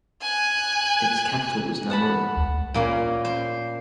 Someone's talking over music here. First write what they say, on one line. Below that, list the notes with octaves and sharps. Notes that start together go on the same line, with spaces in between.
Its capital was Namur.
G#5 F#6
F#5 A5 B5
A#2 A#3 C#4
C5